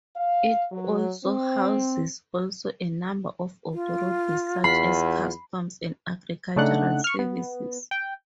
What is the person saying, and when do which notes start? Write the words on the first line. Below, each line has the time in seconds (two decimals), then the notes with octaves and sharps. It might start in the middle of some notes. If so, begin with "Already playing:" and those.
It also houses also a number of authorities such as customs and agricultural services.
0.17 F5
0.72 F#3
1.24 C4
3.74 F4
4.64 E2 B5 C7
6.56 C#3 A3 D4 D#4 F#5 F#6
7.04 C#6 F6
7.19 B3
7.91 G5